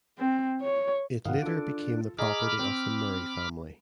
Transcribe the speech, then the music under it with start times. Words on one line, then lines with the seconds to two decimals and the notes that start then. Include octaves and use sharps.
It later became the property of the Murray family.
0.18 C4
0.61 C#5
1.25 G#2 D#3 F5 F#5
1.42 D4 F4 A4
2.19 G#4 D#5 A#5 B5 D6 F6
2.59 C4